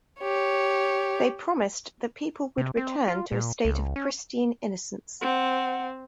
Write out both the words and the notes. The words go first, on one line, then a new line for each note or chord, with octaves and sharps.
They promised that people would return to a state of pristine innocence.
G4 C#5
C3
C4
F4
A#2
C#2
C#4
C4 F#5